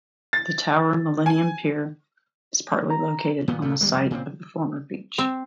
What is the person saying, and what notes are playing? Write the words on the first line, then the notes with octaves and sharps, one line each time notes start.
The Tower Millennium Pier is partly located on the site of the former beach.
A6
G#5
A#5
A#2 D#3 B3
D2 A#2 A3
D#2 G3 G#3
F1 G3
A#2 C#3 A#3 C4
C4